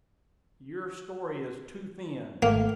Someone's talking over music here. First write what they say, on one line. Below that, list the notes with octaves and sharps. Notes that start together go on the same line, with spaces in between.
"Your story is too thin."
G#1 A3 A#3 F6